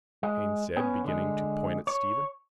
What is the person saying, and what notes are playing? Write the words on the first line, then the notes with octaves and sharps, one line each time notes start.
Haines said, beginning to point at Stephen.
G#3
B3 C#4
D3 G#3
C#5